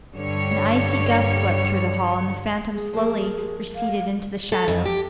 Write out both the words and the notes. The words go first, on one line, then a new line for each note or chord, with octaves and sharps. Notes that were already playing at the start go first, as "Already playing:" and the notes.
An icy gust swept through the hall, and the phantom slowly receded into the shadow.
G2 D3 G3 C#5
G#4
F3 A#3
F5
A4
F2
G4